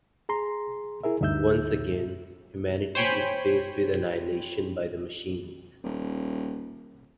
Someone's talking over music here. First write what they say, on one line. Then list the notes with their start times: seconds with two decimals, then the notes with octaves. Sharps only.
Once again, humanity is faced with annihilation by the machines.
0.29 G#4 A#5 C6
1.03 E4 G#4 A#4 E5
1.21 D2 G2 D#4 E5 E6 G6
2.95 C5 C#5 G5 G#5 B5
5.83 D#1